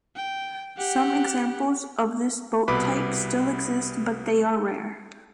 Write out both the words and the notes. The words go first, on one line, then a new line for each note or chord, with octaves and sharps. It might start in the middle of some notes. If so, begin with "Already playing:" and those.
Some examples of this boat type still exist but they are rare.
G5
G4 F#5
C2 B2 B4 B5 D6